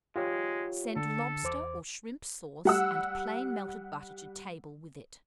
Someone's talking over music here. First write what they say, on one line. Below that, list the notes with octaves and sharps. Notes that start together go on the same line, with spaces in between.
Send lobster or shrimp sauce and plain melted butter to table with it.
G#3 F4 G4 C#5
D3 A4
E2 C5 D6
G3 F#5 E6